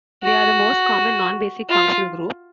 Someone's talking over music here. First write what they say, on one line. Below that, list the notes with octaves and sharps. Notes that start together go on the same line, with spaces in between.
They are the most common non-basic functional group.
F#4
F4